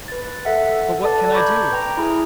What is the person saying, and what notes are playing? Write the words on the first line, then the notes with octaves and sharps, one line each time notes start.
"But what can I do?"
B4 A6
A4 E5 F#5
A4 B4 D5 A5
A#5 B5 C#6 D6 G6 G#6
B4 G5 A#5
E4 G#4 G#5